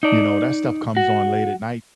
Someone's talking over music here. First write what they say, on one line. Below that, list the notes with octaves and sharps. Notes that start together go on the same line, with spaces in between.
you know, that stuff comes on late at night.
D#4 D5
F#4